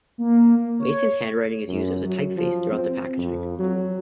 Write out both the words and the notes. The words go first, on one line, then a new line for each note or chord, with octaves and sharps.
Mason's handwriting is used as a typeface throughout the packaging.
A#3
C#5
F#2
F#3
F3
C4
F2
F#3